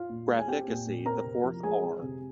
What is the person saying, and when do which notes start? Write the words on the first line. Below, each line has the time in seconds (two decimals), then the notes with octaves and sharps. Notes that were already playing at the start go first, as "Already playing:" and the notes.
Graphicacy; The fourth 'R'?
Already playing: F4 F5
0.10 A#2
0.29 G#3
0.39 G#5
0.48 C4 G4 G5
0.68 A#2
0.87 A#2
1.06 C4 A#4 A#5
1.25 C3
1.44 F3
1.63 G#3 G#4 G#5
1.82 C4
2.02 C3